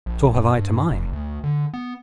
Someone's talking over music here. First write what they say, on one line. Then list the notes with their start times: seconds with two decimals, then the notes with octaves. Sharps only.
"So have I to mine!"
0.06 A#1
0.34 F#2
0.57 G2
0.90 F1
1.13 D2
1.44 D3
1.74 B3